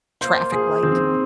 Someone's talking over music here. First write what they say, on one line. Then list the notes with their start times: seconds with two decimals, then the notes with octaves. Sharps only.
traffic light?
0.21 A#3 C5
0.52 A#3 G#4
0.83 D#3 C4